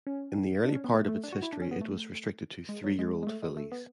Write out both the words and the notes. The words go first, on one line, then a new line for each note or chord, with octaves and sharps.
In the early part of its history it was restricted to three-year-old fillies.
C#4
D4
C#4
B3
A3
A3
D4
F#4
E4
D4
C#4
B3
A3
G#3
F#3
G#3
G#3
A3
G#3
A3
B3